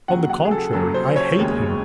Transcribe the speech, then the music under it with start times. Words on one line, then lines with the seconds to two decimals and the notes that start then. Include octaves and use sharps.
On the contrary, I hate him!
0.08 D#2 C#3 F#3 F#5
0.30 F#5
0.45 G#4
0.51 A4
0.72 D#2 C#3 F#3 A4
0.94 C5
1.16 C#5
1.37 E1 D#2 C#3 G#3